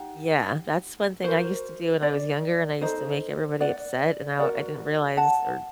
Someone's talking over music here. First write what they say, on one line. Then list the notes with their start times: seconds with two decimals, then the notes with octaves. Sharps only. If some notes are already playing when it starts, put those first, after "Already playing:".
Yeah. That's one thing I used to do when I was younger, and I used to make everybody upset, and now I didn't realize or
Already playing: D#4 G4 F#5
1.24 F#4 A#4 C5
2.02 D5
2.81 D#4 F#4 A4 C5 D#5
3.61 D5 F#5
4.39 F#4 A#4 D5 F#5
5.17 F#5 A5